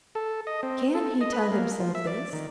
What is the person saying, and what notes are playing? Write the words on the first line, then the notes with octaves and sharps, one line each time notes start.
Can he tell himself this?
A4
D#5
C4
A4
D#5
B4
A#3
F3
E5
D5
D#3